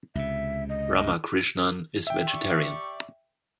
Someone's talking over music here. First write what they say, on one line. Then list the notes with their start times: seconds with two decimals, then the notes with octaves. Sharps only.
Ramakrishnan is vegetarian.
0.15 C#2 C3 E5
0.69 D#5
2.07 E5 G5
2.28 G4 D5 C#6